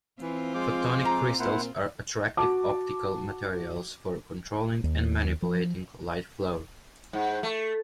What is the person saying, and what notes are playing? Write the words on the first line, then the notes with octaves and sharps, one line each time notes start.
Photonic crystals are attractive optical materials for controlling and manipulating light flow.
E3 C4 F4
F3 G#3 D6
A#5
A#2 E4 C5 F#5
F#4 A5 D6
D#2
F3
G#2
A3